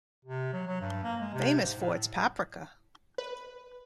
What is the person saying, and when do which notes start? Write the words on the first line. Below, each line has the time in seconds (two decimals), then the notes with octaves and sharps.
Famous for its paprika.
0.25 C3
0.53 F#3
0.67 F#3
0.81 G2
1.04 A#3
1.21 G#3
1.34 C3
1.61 G#2
1.78 A2
3.18 B4